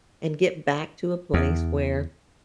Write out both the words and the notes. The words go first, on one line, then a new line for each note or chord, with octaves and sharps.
and get back to a place where
E2